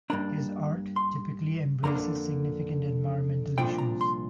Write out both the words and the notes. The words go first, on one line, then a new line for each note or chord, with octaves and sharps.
His art typically embraces significant environmental issues.
G2 G3 A#3 D4 A#5
C6
F2 D3 A#3 D4 A#5
C2 A#2 F3 D4 G5
A#5
C6